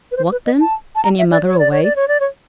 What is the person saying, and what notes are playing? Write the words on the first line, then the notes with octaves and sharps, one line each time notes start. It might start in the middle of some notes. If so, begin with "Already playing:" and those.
'What then? and yo'r mother away.
B4
C5
B4
D#5
A5
A5
A#5
E5
D5
C#5
D5
C#5
D5
C#5
D5
C#5